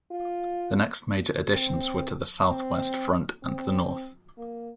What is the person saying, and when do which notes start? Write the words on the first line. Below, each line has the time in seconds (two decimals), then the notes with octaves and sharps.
The next major additions were to the south-west front and the north.
0.11 F4
1.54 C4
2.48 C4
3.43 C4
4.38 A#3